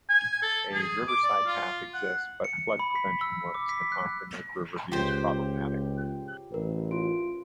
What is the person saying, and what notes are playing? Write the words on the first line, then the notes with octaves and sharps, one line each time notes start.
A riverside path exists, but flood prevention works can often make river views problematic.
G#5
A4
G#4
D6
D5
F4
F#5
C#7
B5
B6
E6
D6
B6
F#6
C#2 F4 G4 C5 G5
A1 A#4 B4
F4 C6 D7